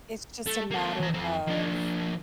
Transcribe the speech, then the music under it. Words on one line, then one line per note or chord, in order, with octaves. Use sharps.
it's just a matter of,
A3
A#3 A4
E3 A#5
F2 C4
F3 D4